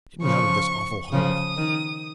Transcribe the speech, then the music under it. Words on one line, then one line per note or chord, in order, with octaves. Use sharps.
"Get me out of this awful hole."
C#3 F3 C#6
C#3 F3 D#6
D#3